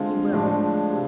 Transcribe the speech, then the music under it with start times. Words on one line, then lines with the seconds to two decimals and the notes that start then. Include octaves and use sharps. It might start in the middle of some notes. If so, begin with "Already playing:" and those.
"You will."
Already playing: D3 G#3 C4 F4 A4
0.33 A2 F3 G#3 D4 F4
0.92 C3